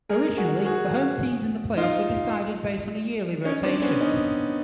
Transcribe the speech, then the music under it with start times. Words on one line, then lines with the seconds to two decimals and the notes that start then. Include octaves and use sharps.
Originally, the home teams in the playoffs were decided based on a yearly rotation.
0.09 G#4 A#4
0.37 F#4 G#4
0.65 F#4 G#4
1.77 D#4 F4
3.45 C#4 D#4
3.63 C4 D4
3.82 B3 C#4
4.01 C#4 D#4